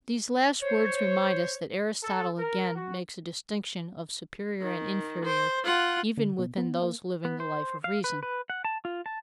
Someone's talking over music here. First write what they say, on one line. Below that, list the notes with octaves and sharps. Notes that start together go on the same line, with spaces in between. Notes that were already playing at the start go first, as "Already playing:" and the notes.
These last words remind us that Aristotle again makes a distinction of superior and inferior even within those living the life of reason.
C5 C#5
A4
A#4
F#4
D#3
C5
F4 F#5
D3
B2
B3
A#3
B3
C5
F5
B4
B4
F#5
A5
F4
A5